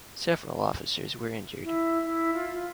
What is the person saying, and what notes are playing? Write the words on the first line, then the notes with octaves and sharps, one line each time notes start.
Several officers were injured.
E4
E4
F4
F4